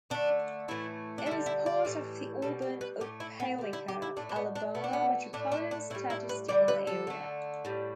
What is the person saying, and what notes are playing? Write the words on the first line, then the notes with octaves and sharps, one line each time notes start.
It is part of the Auburn-Opelika, Alabama Metropolitan Statistical Area.
D3 A3 D4
A2 E3 A3 E4
D4
G3 E4
D3
E4
D5
A2 E3 G3
B2 G3 A4
G4
B4
A2 A3 G4
E4
B3
D3 G3
E4
G4
E4
A2 A3 D4
D4
B3
D4
B2 A3 B3
D4
B3
A2 A3 D4
D4
D4
A2 G3 E4
E4
B4
D3 G3 D5
B4
A4
D3 A3
A2 G3